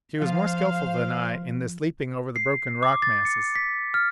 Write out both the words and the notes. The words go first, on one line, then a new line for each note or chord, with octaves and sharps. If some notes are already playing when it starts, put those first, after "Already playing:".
She was more skillful than I in this leaping over the broken rock masses.
F3 C5 F5
C7
D6
A6
C#7
B6
F6